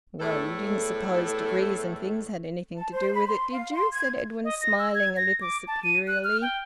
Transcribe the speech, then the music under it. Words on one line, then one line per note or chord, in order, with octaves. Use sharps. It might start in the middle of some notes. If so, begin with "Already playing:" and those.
"Well, you didn't suppose degrees and things had anything to do with it, did you?" said Edwin, smiling a little superiorly.
E2 A2 A3 A4
A5
C5
B5
C6
F5
C6
G#6
D#5
A#6
E6
G#6
A#6
D6
A5
D#7
F#6
F6
G5